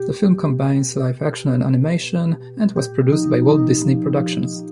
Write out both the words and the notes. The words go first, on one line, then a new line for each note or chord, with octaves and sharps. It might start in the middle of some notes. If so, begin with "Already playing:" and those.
The film combines live-action and animation, and was produced by Walt Disney Productions.
Already playing: B2 G4
B2
B2
B2
B2
B2
B2
B2
A#2 G4
F3 D#4
F3 D#4
F3
F3
F3